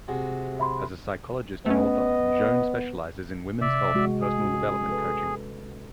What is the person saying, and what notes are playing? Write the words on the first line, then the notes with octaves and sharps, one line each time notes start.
As a psychologist and author, Joan specializes in women's health and personal development coaching.
C3 G#3 F#4
E5 B5 C6
A3 B3 C#4 D#5
C3 D5 E5
G#3 F#4
G#4
C#4 F#4
A4 B4